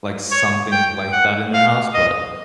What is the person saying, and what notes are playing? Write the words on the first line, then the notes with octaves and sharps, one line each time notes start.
like, something like that in their house, but
C#5
G5
F#5
F5
D#5